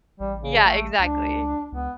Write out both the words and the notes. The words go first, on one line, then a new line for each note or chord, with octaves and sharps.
Yeah, exactly.
A1 G3
C#3
A3
C#2 D4
C#2 B3